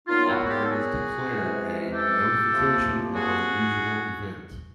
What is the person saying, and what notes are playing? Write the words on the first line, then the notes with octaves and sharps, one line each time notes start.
Operators declared a "notification of unusual event".
A#2 F#3 B3 D#4 F4
E4 F#4
F#4
F4 G4
A4
F#4 G#4
C3 E3 G#3 C#4
G4 A4
C3 F3 A#3
F#4 G#4